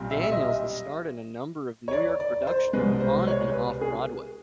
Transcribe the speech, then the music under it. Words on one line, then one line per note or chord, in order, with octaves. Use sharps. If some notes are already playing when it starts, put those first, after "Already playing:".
Daniels has starred in a number of New York productions, on and off Broadway.
Already playing: B1 A#2 G3 C4
E5
E5
D#5
C#5
D5
D5
C5
C2 B2 G#3 B4
C5
C#5
B4
G#4